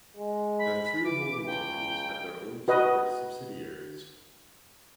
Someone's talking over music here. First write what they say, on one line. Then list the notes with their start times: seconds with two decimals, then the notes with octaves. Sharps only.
The three holding companies have their own separate subsidiaries.
0.17 G#3
0.59 B5
1.04 E3 D6
1.46 C#2 G5
2.68 F#4 B4 D#5